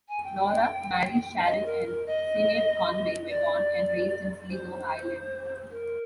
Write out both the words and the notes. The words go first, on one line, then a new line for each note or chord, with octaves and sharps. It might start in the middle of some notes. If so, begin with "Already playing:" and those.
Laura, Marie, Sharon and Sinead Conway were born and raised in Sligo, Ireland.
G#5
G5
D#5
A#4
A#4
D#5
D5
C5
A#4